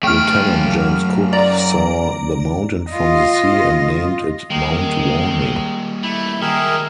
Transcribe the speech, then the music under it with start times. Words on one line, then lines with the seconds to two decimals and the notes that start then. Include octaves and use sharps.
Lieutenant James Cook saw the mountain from the sea and named it Mount Warning.
0.03 F#2 A3 G5 F6
1.33 D5 A#5
2.91 F4 D#5
4.50 D#3 G3 G#3 A#3
6.03 A3 E4
6.42 D#3 F#3 G#3 G#4 A#4 E5